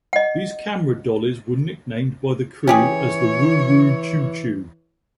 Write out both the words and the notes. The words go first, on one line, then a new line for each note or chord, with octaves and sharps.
These camera dollies were nicknamed by the crew as "the Woo-Woo Choo-Choo".
D#5 F#5
E3 C#4 G4 G#4 C#5